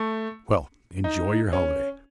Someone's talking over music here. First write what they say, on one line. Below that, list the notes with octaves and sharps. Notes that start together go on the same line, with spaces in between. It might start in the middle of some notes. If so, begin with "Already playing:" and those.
Well! enjoy your holiday.
Already playing: A3
D#4
C#4